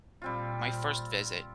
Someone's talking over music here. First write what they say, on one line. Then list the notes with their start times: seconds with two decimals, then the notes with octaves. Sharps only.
my first visit-
0.22 A#2 G3 C4 F4